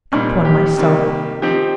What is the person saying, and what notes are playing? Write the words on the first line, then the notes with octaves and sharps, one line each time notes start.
Upon my soul!
A#2 G3 C4 D#4
G4
C3 D#3 G3 A#3
F3 C4 D#4 G4